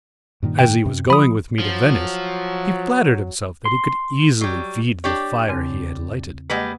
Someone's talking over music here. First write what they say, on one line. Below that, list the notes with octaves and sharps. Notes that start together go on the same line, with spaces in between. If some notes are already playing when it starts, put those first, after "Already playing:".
As he was going with me to Venice, he flattered himself that he could easily feed the fire he had lighted.
G2 A#2 D#3
G5
F#2 C3
F3 B5 D#6
F3 F#3
C6
F#3 G3
D4 G4 C#5
E2 C#3 C4
G3 G#3 A#3 B4 F#5